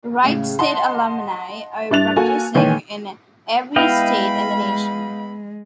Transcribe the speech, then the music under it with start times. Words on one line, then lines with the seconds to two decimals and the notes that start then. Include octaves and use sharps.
Wright State alumni are practicing in every state in the nation.
0.23 A2 C#3 G#3
0.59 D#5 F#5 A5 C6
1.91 G2 D4 E4 F#6 A6 F7
2.16 A#3 F#4 A4 G#5
2.54 A#2 D#3 E3 C#5 G#5 D#7
3.76 G#3 B3 E4 D#5 F5 G5 B5